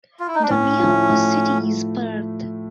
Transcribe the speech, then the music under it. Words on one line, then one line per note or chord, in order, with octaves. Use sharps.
The nearest city is Perth.
F4
E4
D#4
D4
A2 C#4
F3 A3
A2